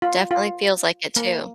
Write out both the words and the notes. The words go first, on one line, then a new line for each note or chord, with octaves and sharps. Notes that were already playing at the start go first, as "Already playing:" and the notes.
Definitely feels like it too.
F4
F4
A#3